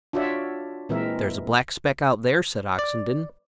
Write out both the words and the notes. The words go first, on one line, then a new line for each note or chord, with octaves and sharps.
"There's a black speck out there," said Oxenden.
D4 F4 F#4 C#5 D5 E5
A#2 E3 G#3 C4 A#4 E5
D5